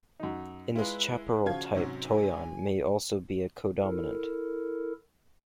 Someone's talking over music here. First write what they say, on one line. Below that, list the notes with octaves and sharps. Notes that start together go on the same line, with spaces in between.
In this chaparral type toyon may also be a co-dominant.
F#2 D#4
G#3 E4 F4 B4
C#3 F3 F4 F#4 G#6
G#2 C3 F#3 C#4
G#5
E4 A4 A#4